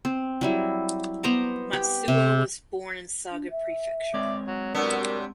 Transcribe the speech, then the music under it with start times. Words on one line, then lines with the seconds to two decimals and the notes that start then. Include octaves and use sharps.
Matsuo was born in Saga Prefecture.
0.05 C4
0.41 F#3 G3 E4
1.23 B3 C5 A#5 D6
1.73 G4
2.08 C3
3.31 D4
3.51 E5
4.14 G#3 C4 C#5 D5
4.47 F#3
4.74 C3 F#3 B3 D4 A#4
5.00 G3